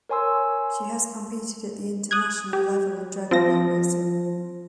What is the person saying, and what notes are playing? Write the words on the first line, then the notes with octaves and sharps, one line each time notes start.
She has competed at the international level in dragon boat racing.
A#4 C#5 G#5 C6 E6
D#6 F#6 G#6
G4
F3 C4 F4 A#6